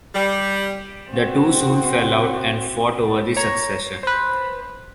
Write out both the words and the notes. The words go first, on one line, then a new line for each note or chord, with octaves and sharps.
The two soon fell out and fought over the succession.
G3
C4 F#4
C#5 A#5
B4 C5